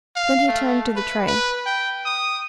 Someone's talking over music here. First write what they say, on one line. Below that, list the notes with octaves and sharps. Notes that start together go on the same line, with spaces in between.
Then he turned to the tray.
F5
A3
B4
B4
G5
D#6